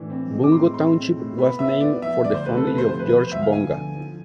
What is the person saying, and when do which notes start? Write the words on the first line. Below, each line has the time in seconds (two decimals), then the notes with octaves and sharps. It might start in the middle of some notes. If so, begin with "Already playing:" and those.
Bungo Township was named for the family of George Bonga.
Already playing: A2 E3 D4
0.10 C4
0.31 G#3
0.44 D6
0.52 A2 C6
0.73 C4 C6
0.95 C4
1.17 A2
1.37 B3 B5
1.59 B3 E5
1.81 B3 D5
2.02 F3 E5
2.24 D2 D5
2.34 C5
2.45 A3 B4
2.57 A4
2.67 C3 B4
2.78 C5
2.88 F3 C5
2.99 B4
3.10 B3 B4
3.20 C5
3.32 D2 E5
3.42 F5
3.52 F3 G#5
3.74 D3
3.96 F3